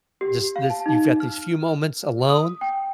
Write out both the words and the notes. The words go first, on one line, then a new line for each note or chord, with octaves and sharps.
just lis you've got these few moments alone,
G4
F5
A5
D#4
F6
D#6
G5